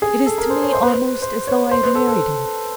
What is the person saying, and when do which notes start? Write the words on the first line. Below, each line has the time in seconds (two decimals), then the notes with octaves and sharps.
It is to me almost as though I had married him.
0.02 G#4
0.26 A4
0.38 A#4
0.50 C5
0.62 C#5
0.73 C5
0.83 B4
0.93 C5
1.22 C5
1.47 C#5
1.71 C5
1.83 B4
1.95 A4
2.07 A4